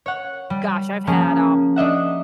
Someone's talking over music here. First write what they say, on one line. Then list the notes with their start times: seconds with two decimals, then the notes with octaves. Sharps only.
gosh, I've had, um
0.06 C#5 F#5
0.50 G3
1.07 F3 A#3 C#4 G#4
1.76 D4 D#5 E5 F#5